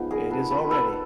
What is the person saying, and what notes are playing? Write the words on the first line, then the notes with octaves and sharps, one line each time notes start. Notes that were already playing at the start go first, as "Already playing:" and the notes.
It is already.
Already playing: F3 G#3 B3 D#4
G#4 A#4
A4 B4
A4 B4
A4 B4